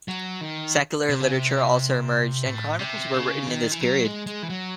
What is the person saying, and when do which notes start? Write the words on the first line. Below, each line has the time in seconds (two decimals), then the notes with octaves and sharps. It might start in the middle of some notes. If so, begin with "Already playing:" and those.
Secular literature also emerged and chronicles were written in this period.
0.08 F#3
0.41 D#3
1.09 C3
1.20 C#3
1.31 C3
2.46 A2
2.79 C3
3.14 C#3
3.47 D#3
3.72 E3
3.81 F#3
4.05 G#3
4.26 G#3
4.43 E3
4.50 F#3